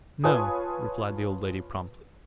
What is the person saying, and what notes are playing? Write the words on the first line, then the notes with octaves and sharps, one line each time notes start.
"No," replied the old lady, promptly.
F4 B4 C#5 G#5 A5 D#6